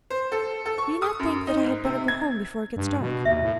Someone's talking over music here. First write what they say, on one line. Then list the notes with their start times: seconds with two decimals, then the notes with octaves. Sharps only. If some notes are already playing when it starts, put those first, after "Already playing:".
"Do you not think that I had better go home before it gets dark?"
0.10 C5
0.32 A4
0.66 A4
0.78 C#6
1.02 D#6
1.19 F#2
1.47 D#4
1.64 G#2
1.85 C3
2.08 G#6
2.76 G2
3.01 B2
3.25 D#2 E5
3.42 A2